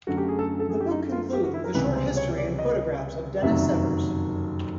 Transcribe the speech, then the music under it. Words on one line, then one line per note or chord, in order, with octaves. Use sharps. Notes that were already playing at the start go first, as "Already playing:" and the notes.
The book concludes with a short history and photographs of Dennis Severs.
F#2 D3 F#3 A3 F#4
G4
G#4
A4
A4
G#4
G4
D#4
F4
G4
F#4
E4
A#4
C#2 C3 E3 G3 B4
C5
C#5
D5
D#5
F#1 F2 C3 D#3 F#3 E5